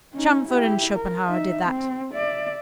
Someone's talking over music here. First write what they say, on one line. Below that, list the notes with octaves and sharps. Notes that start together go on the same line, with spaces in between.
Chamfort and Schopenhauer did that.
C#4 D#4
E4 G4
A#4
D#4 E5
C4
D5 E5